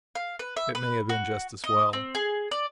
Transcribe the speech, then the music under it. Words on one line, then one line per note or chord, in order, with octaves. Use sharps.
It may have been just as well.
F5
B4
E5
B4
F#4
D#5
C4
G#4
D5